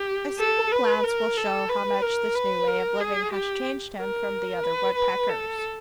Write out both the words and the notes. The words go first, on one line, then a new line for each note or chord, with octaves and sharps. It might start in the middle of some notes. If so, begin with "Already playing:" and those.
A single glance will show how much this new way of living has changed him from the other woodpeckers.
Already playing: G4
A4
B4
A#4
A4
B4
A#4
B4
A#4
G#4
G4
A#4
B4
B4
A4